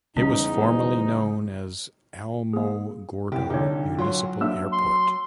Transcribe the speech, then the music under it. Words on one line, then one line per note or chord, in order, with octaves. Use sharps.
It was formerly known as Alamogordo Municipal Airport.
E2 G#2 C#3 G3 C#4 D#4
A#3 G#4
C2 G4
C2 D3 D#4 G4 C#5
F#3 F4 C#5 C6
A#3 D4 E5 E6
C6